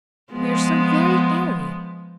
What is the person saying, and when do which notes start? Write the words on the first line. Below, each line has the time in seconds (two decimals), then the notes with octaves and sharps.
We are so very airy!
0.32 F3 G#3 B3